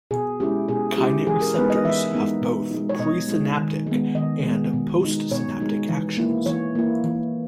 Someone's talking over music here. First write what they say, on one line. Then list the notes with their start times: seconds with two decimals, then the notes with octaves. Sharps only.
Kainate receptors have both presynaptic and postsynaptic actions.
0.11 B2 G#4
0.40 G#3 C#4 E4 G4
0.68 B2 G#4
0.98 G#3 C#4 E4 G4
1.27 E3 G#4
1.41 A#4
1.55 G#3 B3 D#4 B4
1.70 D#5
1.85 E3 E5
2.13 G#3 B3 D#4
2.42 B2
2.71 G#3 D#4
2.89 C#5
2.99 B2 D#5
3.28 G#3 D#4
3.57 D#3
3.87 G#3 B3
4.15 D#3 D#5
4.44 G#3 B3
4.73 B2
5.01 G#3 D#4
5.31 B2 C#5
5.60 G#3 D#4
5.89 E3
6.17 A#3 E4
6.46 E3 C#5
6.75 A#3 E4
7.04 E3